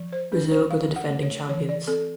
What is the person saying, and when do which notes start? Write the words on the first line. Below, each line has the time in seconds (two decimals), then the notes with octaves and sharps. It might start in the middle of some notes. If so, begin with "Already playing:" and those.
Brazil were the defending champions.
Already playing: F3
0.13 C5
0.32 D4 B4
0.51 C5
0.71 F3 F5
0.96 F#5
1.09 A3
1.23 C#5
1.49 E3 C#5
1.69 D5
1.87 C4 A4